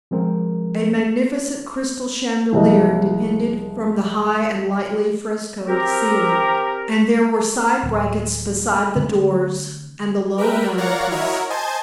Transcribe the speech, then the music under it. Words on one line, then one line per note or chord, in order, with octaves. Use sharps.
A magnificent crystal chandelier depended from the high and lightly frescoed ceiling and there were side brackets beside the doors and the low mantel piece.
F3 G#3 C4 A#4
C2 E3 F3 G#3 A#3 D#5
C4 G4 A#4
D1
D3 A3 C4
A#4 B4 E5 G5
A#4 C#5 D5 F5 F#5 A#5
E4 F#4 A#4 C#5 D#5
C5 D#5 G#5 A5 G6 G#6